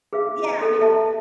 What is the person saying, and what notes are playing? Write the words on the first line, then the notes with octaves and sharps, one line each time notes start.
Yeah, I mean,
G#4 B4 E5 F5
A#5
A4
G4 A4 E5 A5